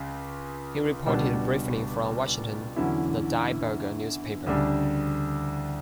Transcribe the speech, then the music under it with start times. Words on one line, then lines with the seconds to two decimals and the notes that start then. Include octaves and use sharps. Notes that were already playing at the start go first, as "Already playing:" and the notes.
He reported briefly from Washington for the "Die Burger" newspaper.
Already playing: C#2 C#3
1.06 C#2 B2 G3 D4
2.76 E2 D3 F#3 C#4 E4
4.47 D2 C#3 G3 D4